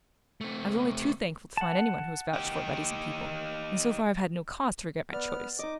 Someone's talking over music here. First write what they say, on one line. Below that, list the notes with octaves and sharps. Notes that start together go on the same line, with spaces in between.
I was only too thankful to find anyone who was vouched for by decent people; and so far I've had no cause to regret my choice.
A3 C4
F#5 A5
D#4 G4
B3 D5 F6
D#4 D#5 D6